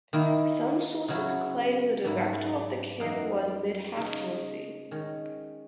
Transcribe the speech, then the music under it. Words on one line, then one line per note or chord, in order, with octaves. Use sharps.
Some sources claim the director of the camp was Midhat Mursi.
D#3 A#3 E4
C#3 F#3 C#4 E4
G#2 F#3 A#3 E4
F#2 E3 A#3 D#4
C#3 G#3 D#4
D#3 G#3 C#4